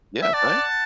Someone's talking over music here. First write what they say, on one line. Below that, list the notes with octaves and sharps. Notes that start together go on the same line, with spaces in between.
Yeah, right?
E5
D5 F#5 A5